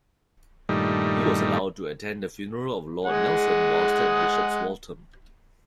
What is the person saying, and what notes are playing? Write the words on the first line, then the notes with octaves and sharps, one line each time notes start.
He was allowed to attend the funeral of Lord Nelson whilst at Bishop's Waltham.
G2 A#2 D#3 G3 A3 D#4
G#3 G#4 F#5